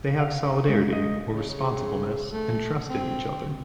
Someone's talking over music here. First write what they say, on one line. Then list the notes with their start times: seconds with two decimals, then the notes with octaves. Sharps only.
They have solidarity, or responsibleness, and trust in each other.
0.19 F5
0.68 G#3
0.92 D#5
1.34 C#3
1.49 C#3
2.33 A3
2.90 C4